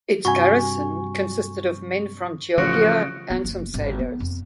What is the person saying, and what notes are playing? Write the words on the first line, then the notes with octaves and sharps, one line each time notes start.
Its garrison consisted of men from Chioggia and some sailors.
G2 C3 F#4 G#5 B5 C#6
A1 C#3 F3 F#4
B3
F#1
G#1
B3
F2